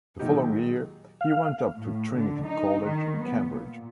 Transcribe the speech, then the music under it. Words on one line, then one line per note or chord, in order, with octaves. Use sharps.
The following year he went up to Trinity College, Cambridge.
A#2 D#3 F#3 G#3 D#4 G4
F5
A2
D3
D#4
D#3
B3
A#2